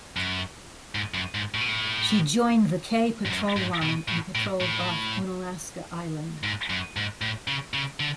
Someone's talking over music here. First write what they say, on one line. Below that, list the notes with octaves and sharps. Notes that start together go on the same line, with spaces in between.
She joined the "K" patrol line and patrolled off Unalaska Island.
F#2
G#2
F#2
G#2
A2
B2
A2
G#2
F#2
G#2
B2
A2
A2
A2
G#2
F#2
G#2
A2
C#3
C#3
D3